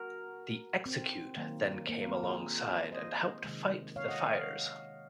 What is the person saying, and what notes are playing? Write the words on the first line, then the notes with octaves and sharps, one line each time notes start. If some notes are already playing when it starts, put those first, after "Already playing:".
The "Execute" then came alongside and helped fight the fires.
Already playing: F#4 A#4
C4
D#3 F#3 A#3
A#3
C4
F4 G#4
C5 D#5
C3 D#3 G#3
C#5 F5
D#5 F#5
C#5 F5